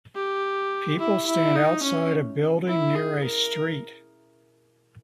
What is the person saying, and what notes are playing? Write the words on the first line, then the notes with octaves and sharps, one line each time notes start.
Peoople stand outside a building near a street.
G4
E4
E4
D#4
C#4
E4
G#4
A#4